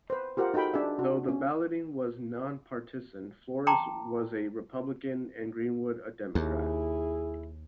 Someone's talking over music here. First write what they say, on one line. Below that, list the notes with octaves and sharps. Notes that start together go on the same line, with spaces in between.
Though the balloting was nonpartisan, Flores was a Republican and Greenwood a Democrat.
B4 C5
F4 G4 A#4 C5 F#5
D#4 F#4 A4 G5 B5
D4 G#4 E5
F#4
C#4
G5 A5 A#5 C6 D6
D#2 E4 G#4